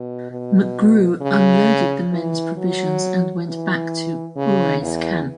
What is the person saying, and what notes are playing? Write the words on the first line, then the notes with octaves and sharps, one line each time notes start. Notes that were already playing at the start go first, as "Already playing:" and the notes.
McGrue unloaded the men's provisions and went back to Ouray's camp.
Already playing: B2
B2
C#3
E3
F#3
E3
C#3
E2